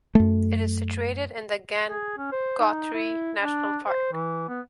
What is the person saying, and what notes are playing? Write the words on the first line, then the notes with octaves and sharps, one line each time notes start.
It is situated in the Gangotri National Park.
F#2 A3
G#4
C#4
C5
D#4
E4
D4
C5
E3
B3